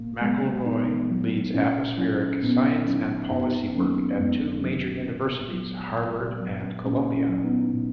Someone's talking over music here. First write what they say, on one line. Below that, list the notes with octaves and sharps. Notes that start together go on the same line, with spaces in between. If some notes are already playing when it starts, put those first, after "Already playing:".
McElroy leads atmospheric science and policy work at two major universities, Harvard and Columbia.
Already playing: A#2 A#3
F#3 G#3 B3
A#2 B3 D#4
F#3
A#2 C#4 E4
F#3 C#4 E4
A#2 B3 D#4
F#3 C#4 E4
F#2 B3 D#4
D#3 F#3 A#3 C#4
F#2 G#3 B3
D#3 F#3
A#2
F#3
A#2
F#3
A#2 A#3 C#4
C#4 E4
F#3
B3 D#4
A#2